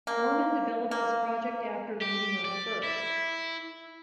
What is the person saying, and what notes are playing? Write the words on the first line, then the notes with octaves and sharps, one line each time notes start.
Foreman developed this project after leaving Earth First!
A#3
A#3
G4
D5
E4